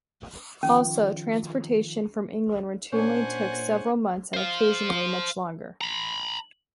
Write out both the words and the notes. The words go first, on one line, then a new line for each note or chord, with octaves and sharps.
Also, transportation from England routinely took several months, and occasionally, much longer.
D#3 F3 C#4 F4
A#2 C#4 D4 C5 F#5 G#5
C5 F5
A#5 B5